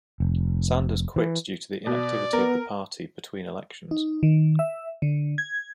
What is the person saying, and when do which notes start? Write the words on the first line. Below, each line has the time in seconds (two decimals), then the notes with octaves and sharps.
Sanders quit due to the inactivity of the party between elections.
0.20 F1
1.16 E3
1.87 B2 D5
2.33 B3 A#4
3.91 D#4
4.23 D#3
4.59 E5
5.02 D3
5.38 G#6